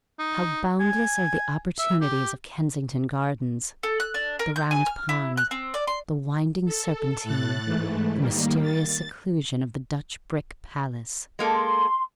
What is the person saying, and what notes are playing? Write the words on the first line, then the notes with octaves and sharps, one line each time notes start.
How boundless are the opportunities of Kensington Gardens--the Round Pond, the winding Serpentine, the mysterious seclusion of the Dutch brick Palace!
D#4
G#5
E5
G4
A4
F#6
D4
A#4
G6
G#5
F6
E4
F#6
C4
D5
C6
A4
A2 F#6 A6
G#2 E3 A3
D#3 G3 A#3
A6
G#3 A#3 A4
C6